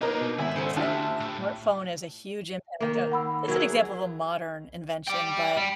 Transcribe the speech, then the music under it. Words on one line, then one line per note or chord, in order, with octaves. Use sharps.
It's like the smartphone is a huge impact o it's an example of a modern invention, but,
A#3 B3 D4 D#4 A#4 D#5
B2
G#1 E4 E5 G#5
C#3 C#4 A4 C5
D2 D4 E4 F4 G4 E5 A5
A2
D#3 A#3
F#5 B5 E6
F#3 E4 G#4 A#4
D5 G5
G3